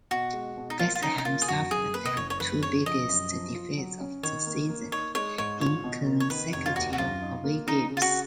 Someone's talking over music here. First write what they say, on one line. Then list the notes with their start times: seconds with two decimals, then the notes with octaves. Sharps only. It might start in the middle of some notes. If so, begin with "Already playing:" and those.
West Ham suffered their two biggest defeats of the season in consecutive away games.
0.11 B2 F#4
0.33 G#3
0.57 B2
0.70 D#4
0.79 A#3 F4
0.95 F4
1.02 C#4 D#4
1.18 D#4
1.25 A#3 F4
1.42 G#4
1.48 F#2 F#4
1.71 F#2 G#4
1.94 A#3 B4
2.05 D#5
2.17 F#1 C#5
2.30 C#5
2.40 F#1 B4
2.63 C#3 C#5
2.86 F3 D#5
3.08 F#2
3.32 F3
3.54 F4
3.77 F#3
4.00 C#4
4.23 D#3 C#5
4.47 A#3
4.69 A#3
4.92 D#4 C#5
5.15 G#3 C#5
5.38 G#2 C#5
5.60 F4 C#5
5.84 B2
6.06 A#4
6.20 C#5
6.30 D#3 B4
6.53 F1 C#5
6.66 F4
6.75 D#2 F#4
6.93 F#4
6.98 F#2 F4
7.22 D#4
7.44 A#3
7.67 C#3 D#4
7.90 C#3
7.97 F4
8.02 F#4